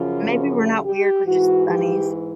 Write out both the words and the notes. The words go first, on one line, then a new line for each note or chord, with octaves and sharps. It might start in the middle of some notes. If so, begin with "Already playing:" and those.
Maybe we're not weird, we're just bunnies.
Already playing: F#2 C#3 F3 F4
G4
G#2 E3 F#4
G4